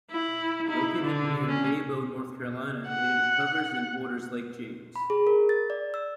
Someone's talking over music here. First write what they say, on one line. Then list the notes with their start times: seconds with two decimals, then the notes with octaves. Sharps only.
Located near Nebo, North Carolina, it covers and borders Lake James.
0.11 E4
0.66 D#4 E4
1.02 D3
1.48 C#4
2.88 F#5
4.96 B5
5.10 G#4
5.27 A#4
5.49 A6
5.70 D5
5.94 E6